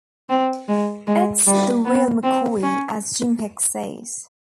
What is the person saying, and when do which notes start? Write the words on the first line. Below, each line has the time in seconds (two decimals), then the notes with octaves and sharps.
It's the 'real McCoy,' as Jim Hicks says.
0.29 C4
0.68 G#3
1.07 G#3
1.47 G3
1.85 B3
2.23 C4
2.63 C#4